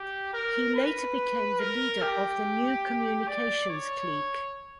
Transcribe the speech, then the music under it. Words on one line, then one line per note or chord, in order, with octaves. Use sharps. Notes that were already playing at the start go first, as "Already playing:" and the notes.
He later became the leader of the New Communications Clique.
Already playing: G4
A#4
B4
A#4
G4
D5
C#5